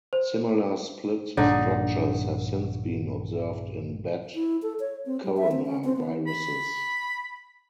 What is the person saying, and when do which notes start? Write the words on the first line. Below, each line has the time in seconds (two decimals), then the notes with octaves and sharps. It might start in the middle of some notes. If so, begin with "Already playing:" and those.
Similar split structures have since been observed in bat coronaviruses.
0.13 C5
1.37 A#1 G2 A#2 D3 D#4 G#4
4.35 E4
4.62 A4
4.80 C#5
5.06 C4
5.23 G3
5.37 E5
5.51 C4
5.66 C#4
5.84 C4
5.96 B3
6.27 B5